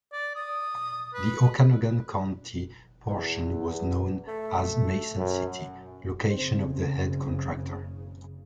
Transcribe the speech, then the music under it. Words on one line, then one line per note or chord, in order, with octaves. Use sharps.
The Okanogan County portion was known as Mason City, location of the head contractor.
D5
D#6
B4
E2
A3
F#2
F#1 C#3 C4 C5